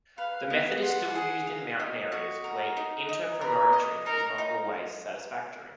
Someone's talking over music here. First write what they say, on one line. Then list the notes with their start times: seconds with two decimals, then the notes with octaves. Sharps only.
This method is still used in mountain areas, where interferometry is not always satisfactory.
0.18 B4 F5
0.50 B3
0.82 F4 F#5
1.15 G#4
1.47 F5
1.80 D#4
2.12 F#4
2.44 A#4
2.77 D#4
3.09 D#4
3.41 A#4 B4
3.73 D#5
4.06 D#4 A#4
4.38 D#4